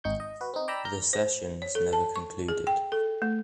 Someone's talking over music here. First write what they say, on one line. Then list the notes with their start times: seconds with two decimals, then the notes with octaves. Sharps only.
The sessions never concluded.
0.04 G#1 D#4 C#6 G6
0.20 D#5
0.41 F#4 B4
0.54 C4 D#4
0.68 D5 G5 A#5 B5 E6
0.85 A#5 F6 G6
1.13 C5
1.62 C#5
1.75 A4
1.93 A5
2.16 C#6
2.48 G#4
2.67 G5
2.92 A4
3.22 A3